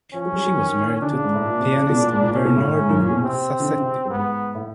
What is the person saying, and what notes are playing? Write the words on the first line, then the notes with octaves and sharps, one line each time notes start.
She was married to pianist Bernardo Sassetti.
F3 C#4
F#3
G3
F#3
D#3
D3 D4
C#3
G#2
A2
A#2
C3
C#3
B2
A#2
G#2
A#2
A#2 C#4
B2
A2
A2
G#2
F#2
A#2
B2
C3 C4
D3
C#3
C3
G2
G#2 B3
A2